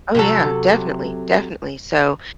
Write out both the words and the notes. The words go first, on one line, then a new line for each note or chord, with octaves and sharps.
Oh, yeah, definitely, definitely, so,
C3 F#3 A4